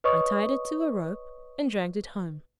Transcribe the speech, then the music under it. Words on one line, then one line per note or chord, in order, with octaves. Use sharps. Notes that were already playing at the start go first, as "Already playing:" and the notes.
'I tied it to a rope, and dragged it home.
B4 C#5 D#5 C#6 D#6